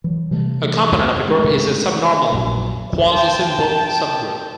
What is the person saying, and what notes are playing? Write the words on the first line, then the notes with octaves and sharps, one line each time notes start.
A component of a group is a subnormal quasisimple subgroup.
E3 F#3
C3 E3 G3 A3
G#3 A3
A#1 F#2 A#2 F#3
G5 A5